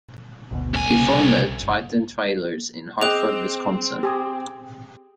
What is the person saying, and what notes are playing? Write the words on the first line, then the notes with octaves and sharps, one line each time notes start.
He founded Triton Trailers in Hartford, Wisconsin.
G#1 D2 B2
C2 G#5
B1 C#3
G1
C4 G#4 D#5 G5 D6 F#6
G4 G#5 D#6